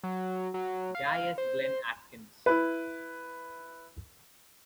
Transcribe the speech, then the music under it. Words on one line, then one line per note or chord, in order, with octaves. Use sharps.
Gaius Glenn Atkins.
F#3
F#3
F5
C5
E4 B4